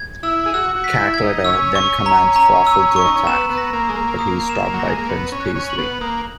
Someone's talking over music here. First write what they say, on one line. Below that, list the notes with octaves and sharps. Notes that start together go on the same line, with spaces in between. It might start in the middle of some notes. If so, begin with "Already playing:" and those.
Cackletta then commands Fawful to attack, but he is stopped by Prince Peasley.
Already playing: G#6
E4 E6
G#4
F#4 E6
F#4
B6
E4
G#6
D#4
C#4 E6
C#6
A#5
A#5
E6
C#6
D#4
C#4
B3 E7
B3
A#6
A#3
G#3 D#6
A#3
D#6
E7
F#3
A#6
G#3
A#3
B3 C#7
C#4
F#6
C#4
F#7
B3
A#3 D#6